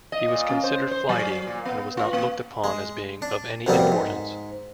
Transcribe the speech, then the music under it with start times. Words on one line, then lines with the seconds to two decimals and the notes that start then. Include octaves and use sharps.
He was considered flighty, and was not looked upon as being of any importance.
0.12 D#5
0.28 A#2
0.49 C#4
0.64 C5
0.91 C5
1.09 F#3
1.47 A#2
1.65 B3
1.97 F4
2.13 A#3
2.64 G#3
3.22 D4
3.67 C2 F2 F#3 G3 A#3 B3
3.92 G#2